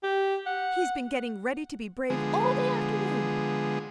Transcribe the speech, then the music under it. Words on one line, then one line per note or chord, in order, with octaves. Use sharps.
'He's been getting ready to be brave all the afternoon.
G4
F#5
D3 F3 G#3 B3 G#4